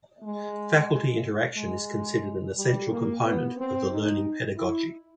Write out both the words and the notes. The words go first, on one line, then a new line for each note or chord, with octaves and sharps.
Faculty interaction is considered an essential component of the learning pedagogy.
G#3
G#3
G3
A#3
B3
C4
D#4
E4